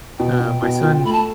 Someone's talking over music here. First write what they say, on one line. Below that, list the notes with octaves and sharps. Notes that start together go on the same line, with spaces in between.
uh, my son
B2 G5
B2
B2
F4
A3 B5
A5